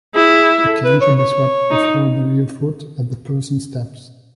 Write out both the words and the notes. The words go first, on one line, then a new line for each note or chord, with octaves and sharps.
The cane should be swept before the rear foot as the person steps.
E4 G#4
A4
B4
C#5
C#5
D#4